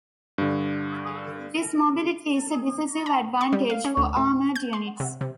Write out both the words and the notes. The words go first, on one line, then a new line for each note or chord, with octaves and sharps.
This mobility is a decisive advantage for armored units.
G2 D3
A#5
C#6
G3
F5
C#4
D2
A2
G6
C6
C3
C3